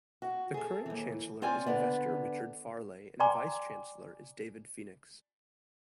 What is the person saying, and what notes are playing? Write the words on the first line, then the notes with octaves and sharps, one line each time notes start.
The current Chancellor is investor Richard Farleigh and Vice-Chancellor is David Phoenix.
F#4
G#4 A4
D#2 E3
C4 F4 C#5 D5 G#5
D3 B3 D5
D5 G5 G#5 A#5 C6 D6